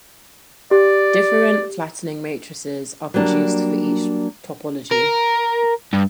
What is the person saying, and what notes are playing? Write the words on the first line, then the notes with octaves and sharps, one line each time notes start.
Different flattening matrices are produced for each topology.
G4 D5
F#3 G3 A#3 D4
A#4
G2